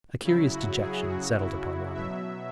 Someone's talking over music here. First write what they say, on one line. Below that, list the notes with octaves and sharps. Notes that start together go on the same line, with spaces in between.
A curious dejection settled upon Robin.
C#3 F#3 E4
F#4
G#4
C#3 F#3 F#4
E4
B2 F#3 E5